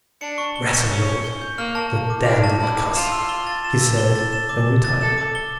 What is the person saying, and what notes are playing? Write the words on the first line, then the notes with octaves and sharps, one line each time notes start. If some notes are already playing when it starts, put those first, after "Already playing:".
"Rastled with it,--the damned little cuss," he said, and retired.
D4 C#7
C#6
G7
G6
C#4 C#7
C#6
G7
G6
A#3 F6
A5
A5
D6
D4 F6
A5
E4 A5
D6
F4 E7
E6
G7
A6
E7
E6
G7
A6
E7
D6
G7
A6
A4 E7
D6
G7